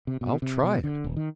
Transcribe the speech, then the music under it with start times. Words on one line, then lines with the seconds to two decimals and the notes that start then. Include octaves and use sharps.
I'll try it.
0.07 C3
0.21 B2
0.42 C3
0.63 B2
0.84 D3
1.04 D#1
1.16 D#3